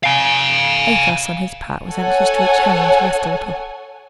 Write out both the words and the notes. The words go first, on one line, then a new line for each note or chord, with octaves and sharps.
Athos, on his part, was anxious to reach home and to rest a little.
F5 G#5
A4 C#5 F#5 G#5